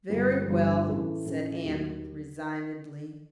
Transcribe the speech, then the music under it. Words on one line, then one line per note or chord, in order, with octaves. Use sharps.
"Very well," said Anne resignedly.
G1 G2 D3 G3
G1 G2 D3 G3
A2 E3 A3 C#4
A2 E3 A3 C#4
D#2 D#3 F#3 A#3